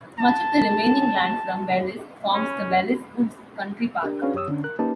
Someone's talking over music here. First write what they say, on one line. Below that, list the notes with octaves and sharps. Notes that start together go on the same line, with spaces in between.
Much of the remaining land from Belhus forms the Belhus Woods Country Park.
A5
C#4
D4 G4 A#4
C#4 D4 F#4 G#4 B4 F5
F#2 G4 C#5 D#6 E6
D3 C#4 D4
A#4 F#6
A#3 C#4 D#4 G4 B4 A5